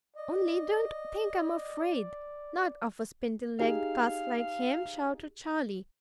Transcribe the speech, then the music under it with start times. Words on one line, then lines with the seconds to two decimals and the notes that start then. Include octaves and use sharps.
"Only don't think I'm afraid,--not of a spindle-legged cuss like him," shouted Charlie.
0.16 D5 D#5
3.59 D#4 G4 G#4 F5